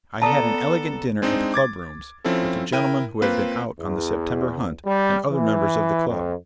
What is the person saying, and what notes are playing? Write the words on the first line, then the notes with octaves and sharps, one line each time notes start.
I had an elegant dinner at the club rooms, with the gentlemen who had been out on the September hunt, and other members of the club.
B3 A4 D5 A5 A#5 D#6
G#3 C4 D4 D#4
D6 G#6 A6
F3 C4 C#4 E4 A4
E4 A#4 G5 D#7
A#3 C4 F4 B4
E2
G3
E3
F2